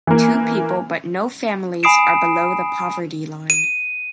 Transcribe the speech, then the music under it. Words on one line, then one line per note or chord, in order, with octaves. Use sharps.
Two people but no families are below the poverty line.
E3 A#3
G#5 B5 D#6 C7 D7 E7
D#7